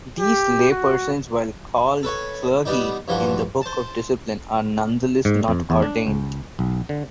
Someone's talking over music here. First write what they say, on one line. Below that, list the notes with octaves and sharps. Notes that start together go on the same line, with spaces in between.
These laypersons while called clergy in the Book of Discipline are nonetheless not ordained.
G4
F#4
A4 B4 C#5
G3 B3 D4 D#4
G2 E3 F3 F#4
C5 A5
G#2
F2
E2
D4
C#2
B1
D3